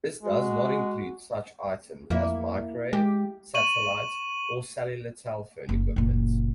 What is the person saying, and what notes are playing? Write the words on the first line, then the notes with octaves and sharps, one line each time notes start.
This does not include such items as microwave, satellite, or cellular telephone equipment.
G#3 F#4
F2 A#3 E4
G#3 G4
C#6 D#7 F#7
F#1
F#1 A#2